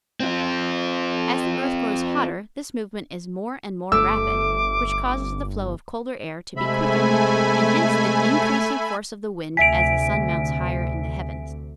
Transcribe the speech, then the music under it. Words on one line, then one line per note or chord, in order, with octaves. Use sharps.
As the earth grows hotter this movement is more and more rapid, which causes the flow of colder air to be quickened, and hence the increasing force of the wind as the sun mounts higher in the heavens.
C4 F4
G1 A3 D6 E6
C3 G#3 A3 E5 G#5 B5
D2 C3 E5 G#5 B6 D7